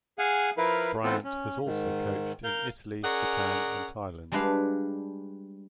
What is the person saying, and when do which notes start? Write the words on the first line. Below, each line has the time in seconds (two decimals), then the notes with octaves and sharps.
Bryant has also coached in Italy, Japan and Thailand.
0.19 G#4 F5 F#5 G#5
0.57 F3 E4 A#4 B4 F5
1.03 E3 B3 C4 F4 A4
1.24 C#4
1.65 G#2 D#3
2.44 A#4 F5 F6 G6
3.03 C#4 G#4 A#4 D5 F#5
4.32 G3 G#3 D4 B4 F5